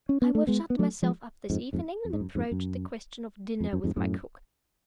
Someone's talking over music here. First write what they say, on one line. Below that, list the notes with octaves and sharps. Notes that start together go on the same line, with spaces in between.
I will shut myself up this evening and approach the question of dinner with my cook.
C#4
B3
A3
G#3 B3
B3
F#3 A3
F3 G#3
F2 G#2
F2 G#2
F2
G#2
F#2
F2 G#2
F#2
F2
F#2
F2 G#2
F#2 A2